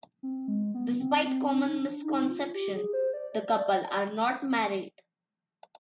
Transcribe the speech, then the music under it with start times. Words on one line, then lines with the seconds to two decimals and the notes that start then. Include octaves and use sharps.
Despite common misconception, the couple are not married.
0.23 C4
0.48 G#3
0.74 B3
1.00 C4
1.26 C4
1.52 D4
1.67 D#4
1.77 D4
2.04 D#4
2.29 F4
2.54 G4
2.75 G#4
2.93 C5
3.13 D5
3.33 D5
3.58 D5